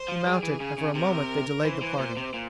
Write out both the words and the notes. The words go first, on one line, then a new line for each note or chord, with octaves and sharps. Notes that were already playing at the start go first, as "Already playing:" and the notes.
He mounted and for a moment they delayed the parting.
Already playing: C5
F3
G3 G#4
E3
C#3
C#3
C3 A#4
E3 C5
E3
A#2
C3
A#2